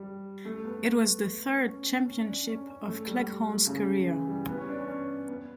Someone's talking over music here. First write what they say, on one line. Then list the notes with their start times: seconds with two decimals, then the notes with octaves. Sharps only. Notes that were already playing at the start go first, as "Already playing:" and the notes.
It was the third championship of Cleghorn's career.
Already playing: G3
0.45 A3
0.65 B3
1.66 C#4
2.06 C#4
2.26 D4
2.47 C#4
2.67 C#4
2.87 A3
3.07 G3
3.67 C#3
4.08 E3
4.28 G3
4.49 B3
4.58 C#4
4.69 D4
4.78 C#4
4.88 C#4
5.28 B3